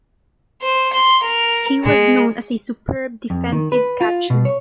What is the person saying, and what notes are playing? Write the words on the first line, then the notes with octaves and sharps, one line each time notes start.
He was known as a superb defensive catcher.
C5
C6
A#4
G#3
F2
D#3
B4
F4
B2
C#5